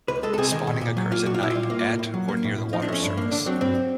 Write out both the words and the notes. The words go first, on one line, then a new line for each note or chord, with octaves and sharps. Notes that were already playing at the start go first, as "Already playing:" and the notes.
Spawning occurs at night, at or near the water's surface.
C#2 B4
G#3 A4
A4
C3 G#4
D#3
A#2
A#2
F#3
A#3 F4
A#2 F#4
F4
A#2 E4
G3 F4
A#3
A2
A2
F#3
A#3
A2
A2
F3 D#4
D4
A3 C#4
G2 D4
A#3
D3 D4
F#3 C4
G2 C4